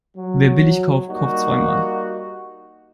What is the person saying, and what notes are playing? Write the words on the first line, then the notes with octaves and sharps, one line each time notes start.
Wer billig kauft, kauft zweimal.
F#3
G3 A#3 D#4 F#4